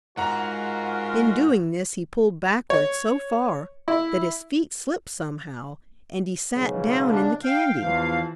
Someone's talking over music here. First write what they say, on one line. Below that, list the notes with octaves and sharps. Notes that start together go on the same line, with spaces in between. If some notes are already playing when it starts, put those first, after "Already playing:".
In doing this he pulled backwards so far that his feet slipped somehow, and he sat down in the candy.
G#2 C#4 F4 F#4 A#4 F#5 A#5
C#5
E4
B1 G#2 C#3
D4
F5 G5
E2 E3 F3 F5